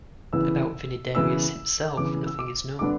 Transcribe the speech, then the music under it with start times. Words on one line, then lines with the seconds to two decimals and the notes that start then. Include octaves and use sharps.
About Vinidarius himself nothing is known.
0.33 C#3 E3 B3 E4 E6
1.15 C#3 E3 B3 E4 E6
1.97 C#3 E3 B3 E4 D6
2.27 E6
2.39 D6
2.79 D3 G3 B3 D4 D6